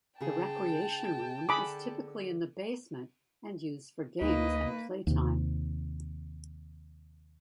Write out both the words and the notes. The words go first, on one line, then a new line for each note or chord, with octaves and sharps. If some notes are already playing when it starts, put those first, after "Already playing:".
The recreation room is typically in the basement and used for games and playtime.
C#3 G#4 G5 A5
D3 G#4 B5 D6
D2 A#3 D#4 B4 D#5
D#2 C3